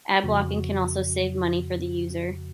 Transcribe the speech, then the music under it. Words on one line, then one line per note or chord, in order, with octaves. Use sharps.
Ad blocking can also save money for the user.
F2 C#3 F3 F#4